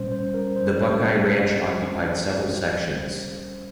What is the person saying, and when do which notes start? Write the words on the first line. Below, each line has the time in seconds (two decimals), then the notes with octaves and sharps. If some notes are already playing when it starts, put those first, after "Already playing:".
The Buckeye Ranch occupied several sections.
Already playing: A#2 G3 C#4 C5
0.12 C5
0.34 A#4
0.56 C5
0.78 C5